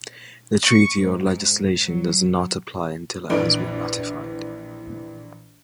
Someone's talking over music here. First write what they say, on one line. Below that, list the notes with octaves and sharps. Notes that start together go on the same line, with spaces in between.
The treaty or legislation does not apply until it has been ratified.
C#6
G#2
F#3
A#1 E3 D4 B4 D5 D7